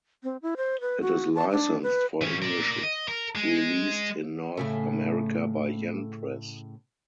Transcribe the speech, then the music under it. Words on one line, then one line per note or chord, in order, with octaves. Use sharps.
It is licensed for English released in North America by Yen Press.
C4
E4
C5
B4
F#4
A5
D4
B4
E3 C#4
A#4 D5
D#5
A#4
G#3
A2 C#3 A3